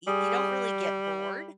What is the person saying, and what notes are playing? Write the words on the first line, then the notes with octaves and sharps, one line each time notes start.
Y You don't really get bored
G3 G#4